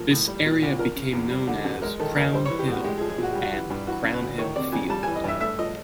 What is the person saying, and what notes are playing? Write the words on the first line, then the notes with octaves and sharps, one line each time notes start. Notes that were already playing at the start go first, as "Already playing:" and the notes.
This area became known as Crown Hill and Crownhill Field.
Already playing: F3 A#3
A2
G3
A#2
C2
F3 A#4
C#3
E2
G3
D3
F#2
G#3 A#4
D#3 A4
D#2 A#4
G3 C5
C#5
E3
G4
A2 F#4
G#3 G4
G#4
F3
G#4
A#2 F#4
G3 G4
F#4
E3
G2
E3 F#4
C#3
B4
D2
D#3 C#5
C3 D5
F2 G#5
G3 A5
G#5
E3
D#5
G2 E5
A3 E5
F3 D#5